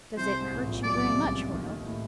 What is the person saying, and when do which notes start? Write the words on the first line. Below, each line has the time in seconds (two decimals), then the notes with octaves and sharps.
"Does it hurt you very much, Hoyle?"
0.17 C2 C3 C5
0.39 G#2
0.50 A1 A2
0.66 A#1 A#2
0.83 B1 B2 D5
1.00 C2 C3
1.17 C#2 C#3
1.50 D#2 D#3
1.66 D#2 D#3
1.83 A2